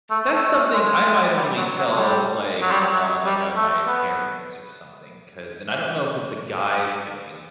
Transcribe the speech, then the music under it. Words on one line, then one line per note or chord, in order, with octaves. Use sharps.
That's something I might only tell, like, uh, like, uh, my parents or something 'cause and I don't know if it's a guy thing,
A3
A3
A3
G#3
G#3
G#3
G3
F#3
F#3
G#3
G3
F#3
G3
F#3
F#3
G3
A3
B3